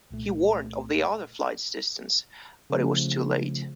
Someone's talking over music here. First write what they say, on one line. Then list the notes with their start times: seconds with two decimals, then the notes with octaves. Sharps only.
He warned of the other flight's distance, but it was too late.
0.11 C2 A#2 A3
2.70 C#3 F3 A3